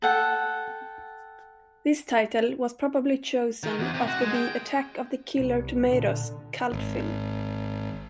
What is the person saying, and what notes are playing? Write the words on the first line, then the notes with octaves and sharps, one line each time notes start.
This title was probably chosen after the "Attack of the Killer Tomatoes" cult film.
A4 F#5 G5
D#3
E2
C3
F#4
G#3
G5
C2
A#2 D3
G#1